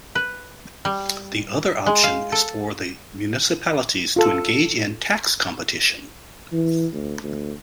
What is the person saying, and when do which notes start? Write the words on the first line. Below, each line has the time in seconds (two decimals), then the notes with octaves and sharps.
The other option is for the municipalities to engage in tax competition.
0.15 B4
0.85 G3
1.86 G#3
2.04 F5
2.32 A4
4.16 F4 A4 A5
6.53 E3
6.93 D2
7.23 D2